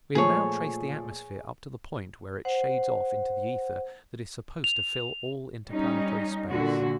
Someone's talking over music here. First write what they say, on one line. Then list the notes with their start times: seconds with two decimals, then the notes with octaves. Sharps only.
We have now traced the atmosphere up to the point where it shades off into the ether that is supposed to fill all interplanetary space.
0.15 A#2 F3 A3 G#4 C#5
2.45 C5 F#5
4.64 F7
5.67 G3 C#4 D#4
6.48 A#2 D3 F#4